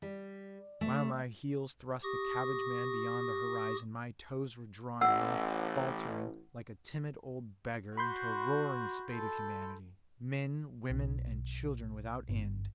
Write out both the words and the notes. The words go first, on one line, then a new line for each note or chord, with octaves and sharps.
While my heels thrust the cabbage-man beyond the horizon, my toes were drawing me, faltering, like a timid old beggar, into a roaring spate of humanity--men, women, and children without end.
G3
A3
G4 C#6 D#6 A#6
A1 F#5 E6
F#4 B5 C6 G6
A4
B1
G1